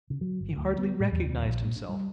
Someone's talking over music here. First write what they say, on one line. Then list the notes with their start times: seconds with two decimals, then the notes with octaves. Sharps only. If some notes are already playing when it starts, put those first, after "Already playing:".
He hardly recognized himself.
0.10 C#3
0.21 F#3
0.41 G1
0.56 D2
0.78 B3
1.00 A2
1.12 E2
1.26 D#2
1.45 A#1
1.64 A#2
1.76 D4
1.89 G3